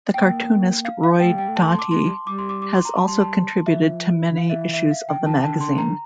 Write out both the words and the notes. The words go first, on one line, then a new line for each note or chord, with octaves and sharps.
The cartoonist Roy Doty has also contributed to many issues of the magazine.
A#3 G5
F5
F5
A3 G5
G3 G5
A3
A5
C6
D6
A3 C6
G3
G3 D6
C6
D6
D6
C6
A#5
G3 A5
C6
A5
F3 E5
D3
E3 F5
E5
E5
F5
D3 G5
F3
A5
E3
D3 A5
C6
A#5